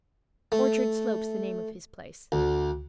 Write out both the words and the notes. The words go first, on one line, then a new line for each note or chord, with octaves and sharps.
Orchard Slope's the name of his place.
A3
D2